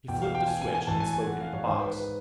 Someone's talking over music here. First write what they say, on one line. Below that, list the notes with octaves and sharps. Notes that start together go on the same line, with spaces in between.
He flipped a switch and spoke into the box.
E2 B2 G5
F5
G5
G#5
G#5
G#5
A2 E3 A5
G#5
G#5
F#5
F5
C#5
G#2 D#3 C5
B4
B4